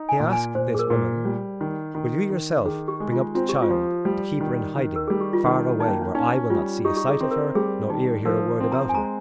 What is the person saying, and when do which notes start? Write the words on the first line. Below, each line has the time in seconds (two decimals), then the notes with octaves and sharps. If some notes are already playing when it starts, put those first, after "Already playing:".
He asked this woman, "Will you yourself bring up the child to keep her in hiding far away where eye will not see a sight of her nor ear hear a word about her?"
Already playing: D#4
0.09 G#5
0.20 A#2
0.32 G#5
0.55 A#2 C5
0.75 G#4
0.79 A#4
0.90 A#2
1.25 G3
1.61 D#3
1.95 D#3
2.30 D#3
2.65 D#3 G#4
2.88 G4
3.00 G#3
3.12 F4
3.35 C4 F4
3.49 G4
3.62 F4
3.70 F3
4.05 G3
4.41 D#3
4.75 D#3 C#4
4.96 A#4
5.08 G3 G#4
5.21 G4
5.33 F4
5.44 D#3 D#4
5.80 A#3 D#4
5.88 C#4
6.02 C#4
6.15 C#4 D#4
6.50 G3 F4
6.85 D#4 G4
6.97 G4
7.09 G#4
7.21 C4
7.31 A#4
7.55 G3 G#4
7.90 D#3 D#4
8.25 F3 A#4
8.60 C4
8.72 A#5
8.89 G#5
8.95 G#3 A#5